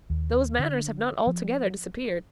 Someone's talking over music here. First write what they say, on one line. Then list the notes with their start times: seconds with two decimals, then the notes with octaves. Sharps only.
Those manners have not altogether disappeared.
0.10 D#2
0.59 D3
1.27 F3